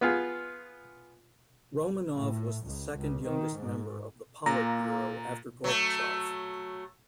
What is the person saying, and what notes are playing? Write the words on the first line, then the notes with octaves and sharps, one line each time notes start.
Romanov was the second youngest member of the Politburo after Gorbachev.
B3 F4 G#4
A2
C#2
C#2
D#3
G#2
A#2 A#3 A#5
F#3 A3